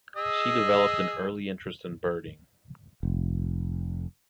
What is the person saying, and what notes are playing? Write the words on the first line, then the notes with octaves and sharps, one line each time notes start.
She developed an early interest in birding.
G#4 D#5 E6
F1